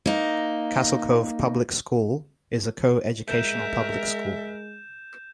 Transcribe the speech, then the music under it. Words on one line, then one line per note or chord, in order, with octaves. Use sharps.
Castle Cove Public School is a co-educational public school.
A#3 D#4
G#3 A#4 E5 G6 E7